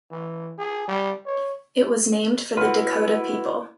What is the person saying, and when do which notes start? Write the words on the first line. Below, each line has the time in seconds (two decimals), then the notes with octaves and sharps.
It was named for the Dakota people.
0.11 E3
0.58 G#4
0.88 G3
1.26 C#5
2.57 E4 F#4 B4 B5 C6 F6